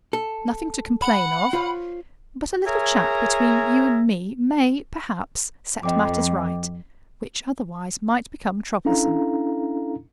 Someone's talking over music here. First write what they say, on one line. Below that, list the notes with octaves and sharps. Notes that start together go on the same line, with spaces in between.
"Nothing to complain of; but a little chat between you and me may, perhaps, set matters right, which, otherwise, might become troublesome."
A4
F#5 B5
F4 C5 C#5
G#4 A#4 C#5 E5 G#5 A#5
F2 D#5 G5 D6
C#4 D4 E4 A4 F5 A#5